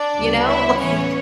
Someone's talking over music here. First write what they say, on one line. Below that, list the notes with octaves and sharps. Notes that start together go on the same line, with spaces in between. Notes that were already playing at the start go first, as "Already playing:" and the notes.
You know, like
Already playing: D4 D5
D2 C#3 G3 B3
E4 E5
A2 E3 B3 C#4 C#5